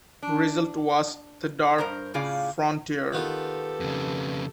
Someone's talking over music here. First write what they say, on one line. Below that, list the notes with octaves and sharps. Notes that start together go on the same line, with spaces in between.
Result was "The Dark Frontier".
D4
G2 A#4 C5 A#5
A2 C#3 F4 G#4 D5 F5
D#3 B3 F4 G4 A4
F2 C#3